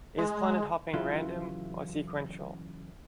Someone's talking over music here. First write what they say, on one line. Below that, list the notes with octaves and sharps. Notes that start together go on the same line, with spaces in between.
Is planet hopping random, or sequential?
G#3
C#3 E3 F#3 E4 F4